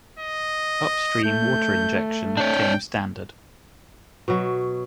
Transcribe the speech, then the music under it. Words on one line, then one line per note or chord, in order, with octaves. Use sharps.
Upstream water injection came standard.
D#5
A3 G6
D4 C#5 G5
B2 F#3